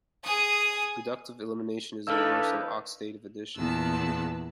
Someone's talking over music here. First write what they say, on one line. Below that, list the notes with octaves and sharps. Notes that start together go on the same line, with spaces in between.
Reductive elimination is the reverse of oxidative addition.
G#4 D#6
E3 A#3 D4 D#4 A4 B4 E6 F6
E2 A#2 B3 A5 E6